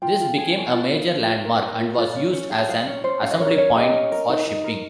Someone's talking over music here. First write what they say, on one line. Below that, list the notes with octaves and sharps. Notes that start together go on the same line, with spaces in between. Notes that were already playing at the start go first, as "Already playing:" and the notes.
This became a major landmark, and was used as an assembly point for shipping.
F4 G5
F4
G#4
G#4
F4
F4
F4
F4
A#4
A#4
F4
F4
C#4
C#4
G#4
G#4 F5
C#4
C#4 C5
C#4 F5
D#5
A#4 C#5
C#4 C#5
G4 D#5
C#4
A#4
D#4
D#4
A#4